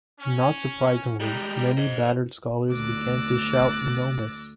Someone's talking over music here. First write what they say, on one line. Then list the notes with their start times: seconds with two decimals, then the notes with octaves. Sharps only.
Not surprisingly many battered scholars began to shout 'no mas!
0.20 C#4
1.20 G3 G#3 G5 A#5
1.77 C5 D#5
2.71 D2 D6 E6 F#6 A6 A#6